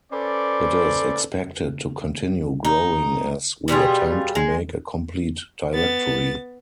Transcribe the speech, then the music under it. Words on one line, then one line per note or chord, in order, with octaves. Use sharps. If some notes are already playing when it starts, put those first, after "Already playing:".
It is expected to continue growing as we attempt to make a complete directory.
C#4 A4 B4 C5 D5
D#4
B2 G3 F4 G#4
G#3
B3 A6